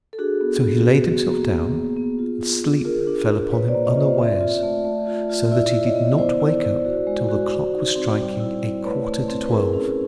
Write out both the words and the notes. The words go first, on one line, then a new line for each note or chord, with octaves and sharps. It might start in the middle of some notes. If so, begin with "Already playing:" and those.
So he laid himself down, and sleep fell upon him unawares, so that he did not wake up till the clock was striking a quarter to twelve.
A4
D4 F#4 G#4
B3
B3
F#4
F#4
A#3
B3
B3
B3
F4
F4
D4
F4 G#4 A#4
D4
F4
A#3 B4 C#5
C5 D5
A#3
C#5 D#5
F4
C5 D5
C4 D5 E5
F4
A3
A3
F4
F4
E4 D5 E5
E4
C#5 D#5
B3
E4 C5 D5
E4
E4
F#4
G#3
F#4
F#4
D#4
C4
G3
E4
E4
A3 B4 C#5
A3
C4
B4
E4 G#4 A#4
C#4